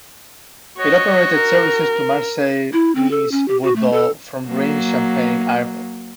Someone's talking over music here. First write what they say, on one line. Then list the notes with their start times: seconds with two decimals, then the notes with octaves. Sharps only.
It operated services to Marseille, Nice and Bordeaux from Reims Champagne Airport.
0.78 F#4 C#5 D#5
1.35 A#4
2.73 E4
2.95 C4
3.11 A4
3.31 C#4
3.48 G4
3.63 F#4
3.76 A3
3.93 A4
4.47 F#3 A#3